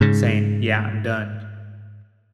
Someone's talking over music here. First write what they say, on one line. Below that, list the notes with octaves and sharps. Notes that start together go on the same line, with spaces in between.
saying, "Yeah, I'm done."
G#2 C#3